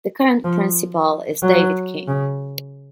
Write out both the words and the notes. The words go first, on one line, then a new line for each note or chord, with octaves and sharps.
The current principal is David King.
F3
F#3
C#3